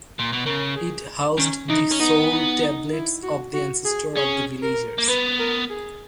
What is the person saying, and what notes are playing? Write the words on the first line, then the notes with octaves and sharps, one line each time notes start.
It housed the soul tablets of the ancestors of the villagers.
A#2
B2
C#3 A#4
G#4
D#3 C#4
E3 D#4
C#4
B3 D#4
D#4
D#4
E4
F#4
F#4
G#4
C#4 G#4
A#4
A#3
B3 B4
A#4
G#4